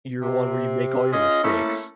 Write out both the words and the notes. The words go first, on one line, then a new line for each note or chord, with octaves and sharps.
your one where you make all your mistakes.
C3
C#4 F4 G#4 D#5
A3 A#3 C#4 E4 A4